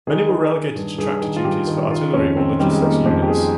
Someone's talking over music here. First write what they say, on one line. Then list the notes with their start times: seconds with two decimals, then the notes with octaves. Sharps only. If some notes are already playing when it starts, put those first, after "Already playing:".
Many were relegated to tractor duties for artillery or logistics units.
0.07 D#3 G#4
0.29 D#3
0.53 D#3
0.76 G2
0.98 G2 G#4
1.22 D#3
1.36 F4
1.44 G2 G4
1.67 D#3
1.90 D#3 F4
2.13 F2 C#4
2.36 D#3 C4
2.59 D#3 G3
2.71 G#3
2.82 D#3 A#3
3.05 F2
3.22 G4
3.28 D#3 G#4